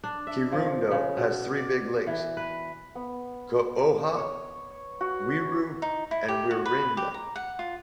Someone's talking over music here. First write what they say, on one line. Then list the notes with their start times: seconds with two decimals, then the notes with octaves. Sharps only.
Kirundo has three big lakes: Cohoha, Rweru, and Rwihinda.
0.04 D4
0.27 E5
0.52 F3
0.91 C#3
1.17 B2
1.57 D5
2.07 E3
2.37 B4
2.95 B3
4.17 C#5
5.01 F#4
5.82 D#4
6.11 E4
6.28 G4
6.51 F#4
6.66 B4
6.97 G4
7.14 A#5
7.36 F#5
7.59 F4